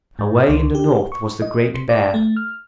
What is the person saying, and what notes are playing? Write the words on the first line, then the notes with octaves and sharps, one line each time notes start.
Away in the north was the Great Bear.
G#2
C#2
G4
C#6
D#5
C3
D5
A3
F6